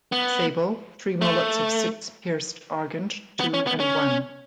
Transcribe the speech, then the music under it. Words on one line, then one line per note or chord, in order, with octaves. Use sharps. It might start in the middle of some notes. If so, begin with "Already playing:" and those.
Sable, three mullets of six pierced Argent two and one.
B3
A3
B3
C#4
B3
C#4